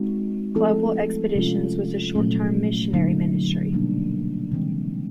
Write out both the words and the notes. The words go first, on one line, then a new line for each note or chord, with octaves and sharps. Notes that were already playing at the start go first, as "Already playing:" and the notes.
Global Expeditions was a short-term missionary ministry.
Already playing: G#3 C4 D#4 F#4
F3 A3 C4 E4 A4
C3 F3 G#3 C#4 F4
A#2 F#3 A3 C#4
D3 F#3 A#3 D#4
B2 G3 A#3 D4
C#3 E3 G#3 C4